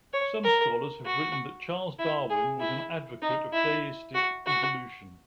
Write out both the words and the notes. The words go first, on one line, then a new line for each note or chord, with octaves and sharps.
Some scholars have written that Charles Darwin was an advocate of deistic evolution.
C#5
A#4
F#4
E4
G#4
E4
D#4
E4
F#4
F#4